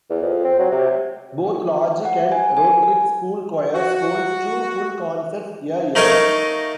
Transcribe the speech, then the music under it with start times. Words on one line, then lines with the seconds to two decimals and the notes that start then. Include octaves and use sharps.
Both Logic and Rhetoric school choirs hold two full concerts a year.
0.10 E2
0.23 F2
0.45 C4
0.59 F#3
0.72 C3
2.05 F#5
2.32 G#5
2.57 G#5
3.75 F#4
5.95 A3 D#4 A#4 C#5 D#5 F5